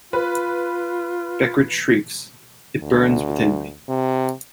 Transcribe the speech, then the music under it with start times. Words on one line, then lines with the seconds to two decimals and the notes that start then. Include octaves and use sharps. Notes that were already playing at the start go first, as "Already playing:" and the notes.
Beckert shrieks, ... it burns within me.
0.13 F4 B4
2.83 D2
3.89 C3